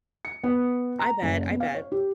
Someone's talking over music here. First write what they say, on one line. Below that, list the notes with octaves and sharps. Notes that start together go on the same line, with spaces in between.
I bet, I bet.
C#7
B3
A#5
F#1
B3
F5
C#5
G4